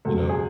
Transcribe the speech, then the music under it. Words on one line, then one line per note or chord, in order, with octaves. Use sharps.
you know,
C#2 B2 F#3 A4
G#4